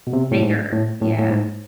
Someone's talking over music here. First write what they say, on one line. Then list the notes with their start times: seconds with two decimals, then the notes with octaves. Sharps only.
bigger, yeah.
0.07 B2
0.13 C3
0.31 A2
0.43 G#2
0.72 A2
1.01 A2
1.19 A2
1.31 G#2